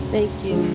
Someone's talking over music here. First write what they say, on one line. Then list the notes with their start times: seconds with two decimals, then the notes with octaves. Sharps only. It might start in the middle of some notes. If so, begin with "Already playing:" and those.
Thank you.
Already playing: E1 D2 C#3
0.50 D3 F3 G#3